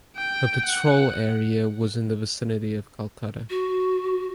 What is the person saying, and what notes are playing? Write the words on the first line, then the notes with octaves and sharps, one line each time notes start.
Her patrol area was in the vicinity of Calcutta.
G5
F#5
F#4